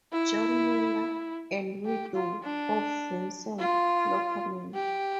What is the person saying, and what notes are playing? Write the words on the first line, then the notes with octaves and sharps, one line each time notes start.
John Miller and widow of Vincent Loockerman.
E4
G4
F4
D4
F4
G4